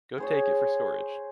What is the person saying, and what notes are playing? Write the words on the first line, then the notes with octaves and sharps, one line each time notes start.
Go take it for storage.
G#4 C5 C#5